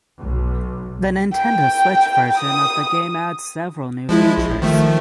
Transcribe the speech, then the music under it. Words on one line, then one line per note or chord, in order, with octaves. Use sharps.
The Nintendo Switch version of the game adds several new features.
B1
G5
D#6
F3 G#3 E4
A#1
D#3 F3 A3